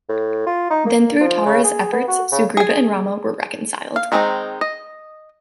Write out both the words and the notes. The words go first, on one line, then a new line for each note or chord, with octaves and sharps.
Then through Tara's efforts, Sugriva and Rama were reconciled.
A2
F4
D#4
A#3
F3
C#3
G#4
B3
F#4
C#3
G#4 G#5
F5
D#3 G#3 C4 D4 D#4
D#5